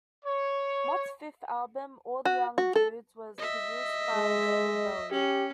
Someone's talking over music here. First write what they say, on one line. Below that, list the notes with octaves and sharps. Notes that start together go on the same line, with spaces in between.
Mott's fifth album, "All the Young Dudes", was produced by David Bowie.
C#5
F#4
F#4
A4
D#5 E5
G#3
C#4 G4